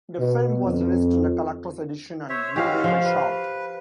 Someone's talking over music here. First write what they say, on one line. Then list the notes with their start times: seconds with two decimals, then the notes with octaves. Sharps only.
The film was released in a Collector's Edition on Blu-ray by Shout!
0.19 B2
0.63 F2
2.29 C5 C#5 E5
2.56 G#3 C#4 F#4 G4 F5
2.84 F3 F5
3.05 B4